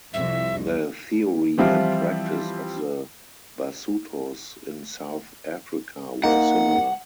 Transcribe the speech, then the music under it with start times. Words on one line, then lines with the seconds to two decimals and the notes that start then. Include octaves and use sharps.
The theory and practice of the Basutos in South Africa were similar.
0.14 C2 F2 E5
1.58 E3 F3 G3 C4 E4 F4
6.23 A#3 D#4 F#5